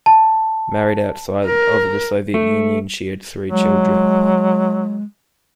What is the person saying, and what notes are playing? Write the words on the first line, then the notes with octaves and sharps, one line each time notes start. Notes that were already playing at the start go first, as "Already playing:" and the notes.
Married outside of the Soviet Union, she had three children.
A5
A#4
A3
F#3 G#3